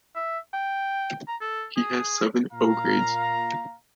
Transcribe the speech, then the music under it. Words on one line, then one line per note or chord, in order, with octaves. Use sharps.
"He has seven O-Grades".
E5
G5
A#5
A4
G#4
A#2 F5 A#5